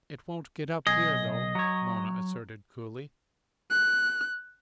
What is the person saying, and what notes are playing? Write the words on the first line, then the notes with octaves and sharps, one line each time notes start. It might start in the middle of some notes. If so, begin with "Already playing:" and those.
"It won't get up here, though," Mona asserted coolly.
B1 G#4 D#5
F#3 C#5
F#6